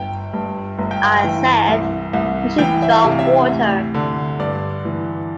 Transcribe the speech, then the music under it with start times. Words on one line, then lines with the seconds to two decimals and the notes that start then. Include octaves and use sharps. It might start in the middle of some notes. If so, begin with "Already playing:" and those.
I said we should draw water.
Already playing: G1 G5
0.34 G2
0.79 G1
0.91 G5
1.04 F5
1.16 G5
1.24 E3
1.68 C2
2.13 C2
2.58 E3 G5
2.82 E5
2.90 F5
3.04 C3
3.19 E5
3.49 D2
3.94 D3
4.39 G2 D5
4.85 E3